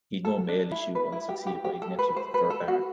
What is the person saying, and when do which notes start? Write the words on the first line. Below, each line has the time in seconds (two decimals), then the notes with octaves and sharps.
He had no male issue and was succeeded by his nephew, the third Baron.
0.25 A4
0.48 D4
0.71 E4
0.95 B4
1.12 E4
1.29 G4
1.47 G4
1.64 G4
1.82 A4
1.99 B4
2.16 C5
2.34 B4
2.50 A4
2.68 F#4